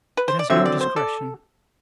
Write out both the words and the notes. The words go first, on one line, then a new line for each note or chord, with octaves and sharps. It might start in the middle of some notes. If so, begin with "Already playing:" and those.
It has no discretion.
B4
C5
D5
D3 F#3 C4 E5
D5
C5
A4 D5